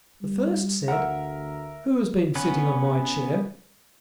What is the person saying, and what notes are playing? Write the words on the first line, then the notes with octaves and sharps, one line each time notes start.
The first said, "Who has been sitting on my chair?"
G3
D2 A#4 E5 F#5
B3 C#4 B4 C#5